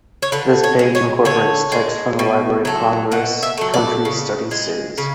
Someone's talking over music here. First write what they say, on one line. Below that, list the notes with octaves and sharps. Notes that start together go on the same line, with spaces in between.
This page incorporates text from the Library of Congress's Country Studies series.
C#5
D3 B4
C#5
G#3
C#5
D3 C#5
G#3
B2
F#3 A3
B2 F#5
E5
F#3 A3
D5
C#3
G#3
C#3